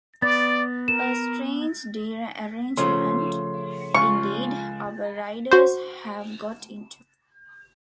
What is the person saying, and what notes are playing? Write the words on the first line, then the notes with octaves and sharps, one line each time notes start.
A strange derangement, indeed, our riders have got into.
B3 D5 A6
A#4 E7
C#3 F3 A3 C#5 C6
C#2 F4 C#6
F#4 C5